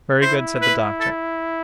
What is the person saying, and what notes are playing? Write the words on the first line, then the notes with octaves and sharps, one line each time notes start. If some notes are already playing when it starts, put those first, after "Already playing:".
"Very good!" said the doctor.
E4 C5
B4
A4